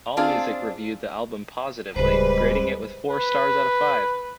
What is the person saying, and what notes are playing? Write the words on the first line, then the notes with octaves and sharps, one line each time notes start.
Allmusic reviewed the album positively, grading it with four stars out of five.
C4 D4 F4 G#4
D1 C#3 G3 G#3 B4 C5
B4